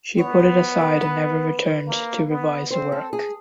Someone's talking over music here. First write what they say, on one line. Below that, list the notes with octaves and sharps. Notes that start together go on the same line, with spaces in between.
She put it aside and never returned to revise the work.
B3 C#5
C5
B4
B4
A#3
B3
C4 C5
A4
G#4